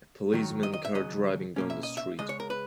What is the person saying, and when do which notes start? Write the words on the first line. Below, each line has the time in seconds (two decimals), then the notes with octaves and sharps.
The policeman car driving down the street.
0.33 F#2 D#3 F#3
0.63 D#5
0.74 D#5
0.85 E5
0.94 D#2 C#3 F#3 D#5
1.56 B2 A#3 C#4
1.70 E5
1.83 D#5
1.97 E5
2.19 C#2 C#3 G#3 D#5
2.29 C#5
2.40 A#4
2.50 B4